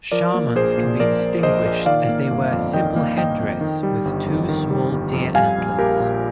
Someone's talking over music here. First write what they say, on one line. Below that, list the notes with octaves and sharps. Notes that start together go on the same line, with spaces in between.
Shamans can be distinguished as they wear simple headress' with two small deer antlers.
F3 A#4 D5
A#3
A#1 G#4 C5
A#2
F3 A#4 D5
A#3
A#1 C5 D#5
A#2
D#3 D5 F5
A#3
G1
F2
D#3 D#5 G5
A#3
G1 D#5 G5
F2
D#3
G3
G1
F2
D#3
G3
G1
F2
G3 F5 G#5
A#1
A#1 G4 A#4
A#2